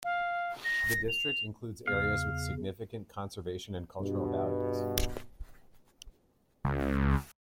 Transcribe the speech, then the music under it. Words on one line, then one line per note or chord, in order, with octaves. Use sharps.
The district includes areas with significant conservation and cultural values.
F5
A#6
F7
E2 C#3 F5
G2 B2
C#2